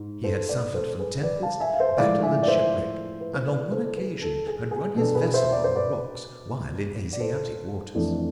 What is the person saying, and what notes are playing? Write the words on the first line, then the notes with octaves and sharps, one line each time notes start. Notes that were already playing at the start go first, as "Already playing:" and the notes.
He had suffered from tempest, battle and shipwreck, and on one occasion had run his vessel on the rocks while in Asiatic waters.
Already playing: G#2
A4 C5
B4 D5
A4 C5
A4
G#4 B4
B4 D5
F5 A5
E5 G#5
F5
C5 E5
A2 F3 G#3 D5 F5
E5 G#5
D5
C5 E5
B4
C5
B4 D5
A4 C5
G#4 B4
A4
G#4
G#4
B2 B3 D4 A4
G#4 B4
C5 E5
D5
C5
B4 D5
D5
A4 C5
F2 E3 A3 D4